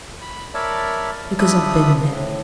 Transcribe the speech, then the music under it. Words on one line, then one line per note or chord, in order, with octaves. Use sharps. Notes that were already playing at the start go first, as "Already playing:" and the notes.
Because I've been there.
B5
A#4 C#5 D5 E5 A5 B5
F3 D4 E5 B5 D#6
A2